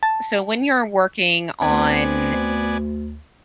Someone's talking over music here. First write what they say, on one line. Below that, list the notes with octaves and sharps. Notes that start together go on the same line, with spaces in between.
so, when you're working on
A5
D2 B3 C4 D5 G#5